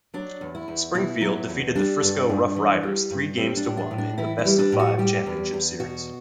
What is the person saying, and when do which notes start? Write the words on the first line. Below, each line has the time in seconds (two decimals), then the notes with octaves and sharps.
Springfield defeated the Frisco RoughRiders three games to one in the best-of-five Championship Series.
0.14 F#3 D4
0.41 E2
0.55 E4
0.68 E2
0.94 B2 E4
1.21 F#3
1.49 E2
1.75 G3 D4
2.02 G2
2.29 G2
2.56 E3
2.83 G3
3.11 G2
3.38 G3 C4
3.57 D4
3.65 A2
3.77 D4
3.91 A2
3.98 D4
4.18 E3 E4
4.39 E4
4.45 G3
4.58 D4
4.72 A2
4.79 F#4
4.98 G3 G4
5.26 E2
5.53 E2
5.80 B2 F#4